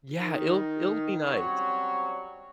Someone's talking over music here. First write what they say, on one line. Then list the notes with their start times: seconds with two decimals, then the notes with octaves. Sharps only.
Yeah, it'll it'll be nice.
0.18 D#3
1.24 F#3 G3 C4 C#4 F#4 C#5